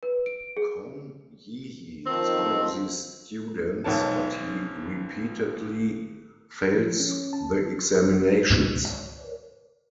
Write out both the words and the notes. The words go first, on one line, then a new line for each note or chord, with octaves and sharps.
Kong Yiji is one of these students, but he repeatedly fails the examinations.
B4
D7
G#4
D#3 F3 C4
B1 G#2 C#5 A5
F3
C#4
A5
C#2 G#2 B2